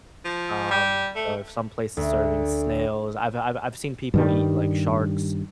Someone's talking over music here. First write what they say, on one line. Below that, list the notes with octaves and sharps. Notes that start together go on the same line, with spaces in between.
um, so if some place is serving snails I've I've I've seen people eat like sharks,
F3
G3
A3
D2
G2 D#3 G3